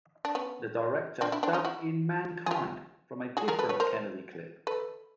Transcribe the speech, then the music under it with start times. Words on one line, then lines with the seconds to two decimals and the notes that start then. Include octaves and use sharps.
The director dubbed in "mankind" from a different Kennedy clip.
0.25 D4
0.35 B3 C#4
1.21 C4 D4
1.32 D4 E4
1.43 C4 D4
1.53 C#4 D#4
1.65 E4 F#4
2.46 G#4
2.51 F4 G4
3.37 F#4 G#4
3.48 G#4 A#4
3.59 A4 B4
3.69 B4 C#5
3.80 A#4 C5
4.67 A4 B4